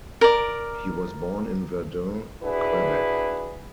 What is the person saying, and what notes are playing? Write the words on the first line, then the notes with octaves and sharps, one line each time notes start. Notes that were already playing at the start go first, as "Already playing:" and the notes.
He was born in Verdun, Quebec.
A#4 D5
D4 E4 F#4 G#4 B4